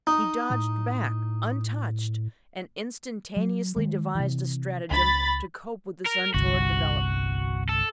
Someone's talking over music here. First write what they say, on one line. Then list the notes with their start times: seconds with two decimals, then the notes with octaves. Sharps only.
He dodged back, untouched, and instantaneously devised a stratagem to cope with this untoward development.
0.07 D#4
0.50 A2
3.36 F#3
3.76 D#3 G#3
4.15 C3 E3
4.91 C#2 D4 B5 A6
6.06 A#4
6.34 G1 C2 F#4
7.69 A4